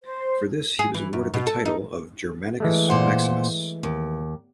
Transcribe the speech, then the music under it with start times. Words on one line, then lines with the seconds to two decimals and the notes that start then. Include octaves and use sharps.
For this he was awarded the title of Germanicus Maximus.
0.03 C5
0.79 G#4
0.94 E3
1.13 F#2
1.34 B2
1.47 A4
1.65 D#4
2.60 E3 G#3 A3
2.88 A#2 C5 F#5
3.83 D#2